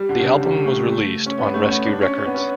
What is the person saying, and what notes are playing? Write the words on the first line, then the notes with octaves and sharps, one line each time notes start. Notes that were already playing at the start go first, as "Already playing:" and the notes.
The album was released on Rescue Records.
Already playing: G3
D3
C#3
D3
G3
A3
A3
C#4
B3
A3
C#4
B3
D4
C#4
C#4
B3
C#4